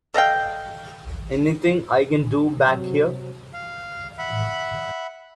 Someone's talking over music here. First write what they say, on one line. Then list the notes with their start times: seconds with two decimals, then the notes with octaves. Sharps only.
Anything I can do back here?
0.14 A4 D#5 F5 G5
2.66 C3 F#3
3.54 F5
4.18 E5 F#5 B5